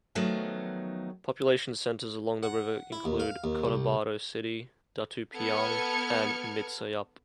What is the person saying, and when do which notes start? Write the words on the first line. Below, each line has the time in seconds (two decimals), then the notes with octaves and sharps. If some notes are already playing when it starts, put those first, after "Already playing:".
Population centers along the river include Cotabato City, Datu Piang, and Midsayap.
0.15 D#3 F3 F#3 A3 B3 D#4
2.43 F#5
2.92 E4
3.05 D#2
3.20 F5
3.44 D#2
3.65 C2
5.35 B3 A4 F6 G#6 C#7